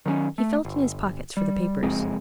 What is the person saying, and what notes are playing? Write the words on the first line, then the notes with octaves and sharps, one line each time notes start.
He felt in his pocket for the papers.
D#3 F#3 A3 C#4
A3
G1
G3
F#1 F2 G#3 C4